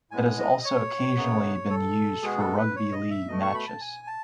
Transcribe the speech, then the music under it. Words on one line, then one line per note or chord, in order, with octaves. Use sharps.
It has also occasionally been used for rugby league matches.
A2 G#3 B3 G#5
D#5
C#5
F#2 C#3 F#3 B3
A4
B2 G#3 B3 G#4
A4
B4
C#5
D#5
E5
B2 A3 D#5
C#6
B5
A5
G#5
A5